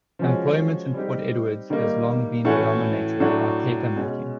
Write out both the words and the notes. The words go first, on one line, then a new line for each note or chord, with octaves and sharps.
Employment in Port Edwards has long been dominated by paper making.
F3 G#3 C#4 F#4
G3 C4 D#4 G4
D#3 G3 A#3 D#4
A2 E3 A3 C#4 F#4
A2 F#3 A3 D4 F#4
B2 G#3 C#4